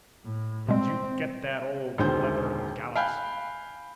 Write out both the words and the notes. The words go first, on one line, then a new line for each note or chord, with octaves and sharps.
Did you get that, old Leather-and-Gallops?'
A2
B2 G3 G#3 C4
E1 C#2 D3 D#3 C5 G6
F5 G5 G#5 B5 F#6 G6